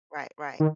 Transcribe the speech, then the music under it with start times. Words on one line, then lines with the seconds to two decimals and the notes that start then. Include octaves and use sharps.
Right, right.
0.60 D#3